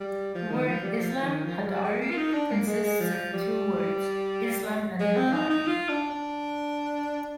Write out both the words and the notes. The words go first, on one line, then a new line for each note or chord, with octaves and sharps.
The word Islam Hadhari consists of two words, Islam and Hadhari.
G3
F3
D#3
F3
G3
F3
D#3
F3
G#3
G3
G#3
A#3
F4
D#4
D4
A#3
G#3
G#3
F3
G3
G#3
C4
D#4
D#4
F4
D4
D4